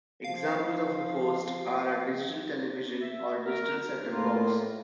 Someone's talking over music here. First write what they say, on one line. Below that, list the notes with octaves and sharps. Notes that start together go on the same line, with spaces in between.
Examples of a host are a digital television or digital set-top box.
F3 F5
E5
A#4
A2 A#3 F4